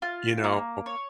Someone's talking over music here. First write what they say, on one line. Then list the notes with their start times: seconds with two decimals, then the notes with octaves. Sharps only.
you know?
0.02 F4
0.44 A#3
0.86 C#5